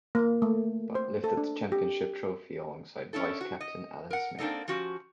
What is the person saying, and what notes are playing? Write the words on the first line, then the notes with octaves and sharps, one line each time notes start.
Butt lifted the Championship trophy alongside vice-captain Alan Smith.
A#3
A3
C5
A4
D4
G4
C#4 D4 E4 A4
F#4
D#5
A#4 F#5
A#3 C4 D4 D#4 A4 D#5
F3 C#4 F#4 G4